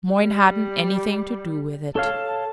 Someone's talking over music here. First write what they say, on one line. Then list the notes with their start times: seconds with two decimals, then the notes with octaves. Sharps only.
Moyne hadn't anything to do with it.
0.13 G3
1.96 A4 C#5 F5 A5